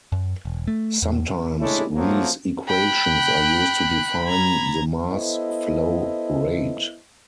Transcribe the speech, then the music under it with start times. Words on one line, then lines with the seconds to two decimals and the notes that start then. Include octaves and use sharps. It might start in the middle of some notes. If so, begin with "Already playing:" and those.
Sometimes these equations are used to define the mass flow rate.
0.12 F#2
0.45 E1
0.68 A3
1.02 E2
1.60 G#3 A3 D4 E4 C#5
1.95 F3 F#3 A3 A#3
2.69 G5 B5 F#6
4.27 A#5 G#6
5.10 B3 E4 A4 C5 D#5